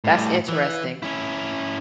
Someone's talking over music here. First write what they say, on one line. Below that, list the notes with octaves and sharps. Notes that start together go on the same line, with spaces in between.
That's interesting.
A2 G3
E3
C#4 E4